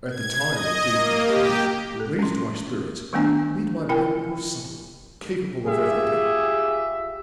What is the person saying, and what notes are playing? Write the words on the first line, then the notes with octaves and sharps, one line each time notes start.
At the time it gave me courage, raised my spirits, made my mind more subtle, capable of everything.
G#6
D#5
A#3
G4
A4
C#4 C6
D#3 G3 A3 B3 D4 G#5
E4 A#4 G5 G#5
F4 G4 G#4 E5